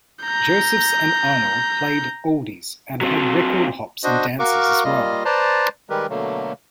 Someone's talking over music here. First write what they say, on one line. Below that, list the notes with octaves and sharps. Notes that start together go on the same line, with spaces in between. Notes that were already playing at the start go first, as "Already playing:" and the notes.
Josephs and Arnold played "oldies" and had record hops and dances as well.
A#5 G6
F#3 C4
D4 F#4 C5 D#5
F#4 A#4 F5 C#6 D6
G3 A#3 F4 D#5
B4 C5 D5 A5 A#5 C6
D#3 G3 G#3 G4 A#4 B4
B2 D3 F#3 A3 A#3